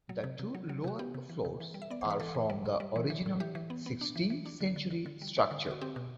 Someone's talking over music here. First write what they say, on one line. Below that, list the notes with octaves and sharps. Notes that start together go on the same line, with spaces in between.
The two lower floors are from the original sixteenth century structure.
F#3
C3
C3
F#3
F#3
C3 F#4
B3 G4
C3
E3
C3
E3
G3
E5
B3 D5
E3 C5
B4
E3 A4
E3
G3
A2
G3
E3
E3
A2
E3 G4
E3
B3
B3
D4
E3
E3
D4
D3
D3
D3
D3
G3
G3
D3
D3 F#4
C4 G4
B2